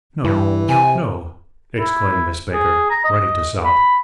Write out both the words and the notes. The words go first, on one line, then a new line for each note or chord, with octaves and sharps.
"No, no," exclaimed Miss Baker, ready to sob.
G2 E3
C3 G#5
E4
G#4
A#5
D#5
B5